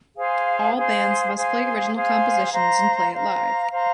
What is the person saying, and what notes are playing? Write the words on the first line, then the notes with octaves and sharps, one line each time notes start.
All bands must play original compositions and play it live.
G#4 C5 F5 G#5
G#4 C5 F5 G#5
G#4 C5 F5 G#5
G#4 C5 F5 G#5
C5 F5 A#5
C5 F5 A#5
C5 F5 A#5